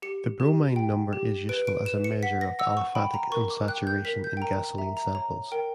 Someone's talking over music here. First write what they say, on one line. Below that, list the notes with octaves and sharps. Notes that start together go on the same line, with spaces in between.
The Bromine Number is useful as a measure of aliphatic unsaturation in gasoline samples.
G4 C#7
G4
G5
G4
B4 D7
D7
B4 E7
C#7
F#5 B6
A#6
F#5 E6
C#6
G5 B5
A#5
A#4 C#6
D6
G5 F#6
G6
A#4 B6
G6
G5
A#4 A#5
E5 A#5
A#5
C#5 A#5
A#4 G5